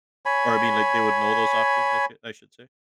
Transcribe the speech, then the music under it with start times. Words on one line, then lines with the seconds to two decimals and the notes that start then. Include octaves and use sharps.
or I mean, like, they would know those options I should I should say.
0.26 C#5 G#5 B5